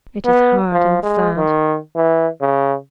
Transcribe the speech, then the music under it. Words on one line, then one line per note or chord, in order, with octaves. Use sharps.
It is hard and sad.
B3
F3
G#3
D#3
E3
C#3